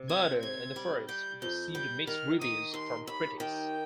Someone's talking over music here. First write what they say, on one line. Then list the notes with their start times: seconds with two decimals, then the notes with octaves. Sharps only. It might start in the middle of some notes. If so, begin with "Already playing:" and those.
"Murder in the First" received mixed reviews from critics.
Already playing: C3
0.09 C4 G#6
0.42 C3 G#6
0.76 G3
1.09 G3 G6
1.42 F2 G6
1.74 G3 G6
2.07 D#3 F6
2.41 D#3 D#6
2.74 D#2 C6
3.07 D#2 B5
3.40 D#3 G5